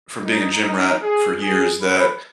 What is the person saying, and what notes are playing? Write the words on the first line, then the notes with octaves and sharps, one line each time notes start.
from being a gym rat for years- that
D#4
D#4
G#4
G#4
B4